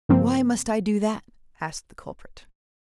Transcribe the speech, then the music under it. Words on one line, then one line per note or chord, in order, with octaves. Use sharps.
"Why must I do that?" asked the culprit.
G2 C#3 F3 A#3 C4